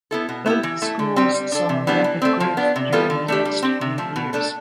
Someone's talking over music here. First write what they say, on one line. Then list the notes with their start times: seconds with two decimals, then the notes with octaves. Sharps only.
Both schools saw rapid growth during the next few years.
0.11 B3 E4 A4
0.29 B2
0.46 B3 E4 G4
0.63 E3
0.82 A3 E4
0.99 D3
1.16 G3 C4 G4
1.34 G3
1.52 D4 A4
1.69 C3
1.87 E3 G3 B3 D4
2.04 E3
2.22 A3 C4
2.40 F3
2.57 B3 D4
2.76 C3
2.92 G3 B3 F4 A4
3.10 D3
3.28 A3 D4 G4
3.45 G3
3.62 C4 G4
3.81 C3
3.98 F3 A3
4.16 B2
4.33 A3 D4 A4